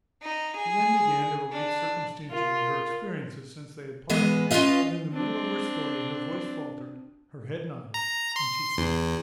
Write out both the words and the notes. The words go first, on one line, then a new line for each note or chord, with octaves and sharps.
She then began to relate circumstantially her experiences since they had parted; but in the middle of her story her voice faltered, her head nodded, and she ceased.
D#4
G#4
D4
F4 A#4
E3 G#3 B3 D#5
C#4 F4 A4 B4 D#5 F5
C4 D4
A#5
C6
E2